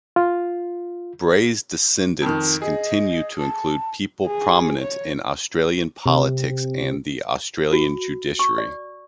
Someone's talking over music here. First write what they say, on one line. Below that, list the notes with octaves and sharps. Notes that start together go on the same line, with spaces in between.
Bray's descendants continue to include people prominent in Australian politics and the Australian judiciary.
F4
F2 D#3
G#4 D#5
A5
G#4
C#5
C3
F#4
C#6
D5